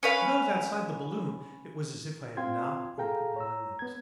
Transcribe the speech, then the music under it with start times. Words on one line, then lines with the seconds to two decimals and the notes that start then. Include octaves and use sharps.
To those outside the balloon it was as if I had not opened my lips.
0.03 C#4 B4 F5
2.37 C4 F4 F5 G5 C6 G#6
2.98 G#4 A4 F5 G5 A#5
3.36 C#5 A#5 E6
3.79 B3 G#6